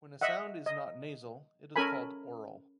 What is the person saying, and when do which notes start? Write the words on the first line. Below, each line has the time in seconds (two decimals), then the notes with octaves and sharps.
When a sound is not nasal, it is called oral.
0.21 D#5 E5 F#5
0.66 D#5
1.76 C#4 A4 A#4 G#5 B5